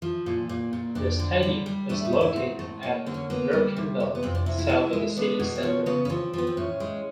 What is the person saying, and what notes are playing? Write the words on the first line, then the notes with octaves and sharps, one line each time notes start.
The stadium is located at Lerkendal, south of the city center.
F3
A#2
A#2
A#2
F2 D4
D3
G3
G3
A3 D4
D#4
G#2
E4
G#2 C4
A3
A#3 C#4
D3 C4
C#4
A#3 B3
G3
C3
C3
B3
F2 C4
D4
C3 E4
E4
G#3
G#3
B3 D4
B2
C4
F3 C#4
C#3 B3
C#4
F3 C4
F3 B3
C4
A2 C#4
G#3